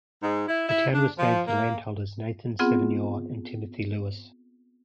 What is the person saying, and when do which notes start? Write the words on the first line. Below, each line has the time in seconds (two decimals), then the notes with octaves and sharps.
The town was named for landholders Nathan, Sevignior and Timothy Lewis.
0.23 G#2
0.48 E4
0.69 E4
0.93 D4
1.18 F3
1.48 A#3
2.59 B3 C4 F4 G#4 F#5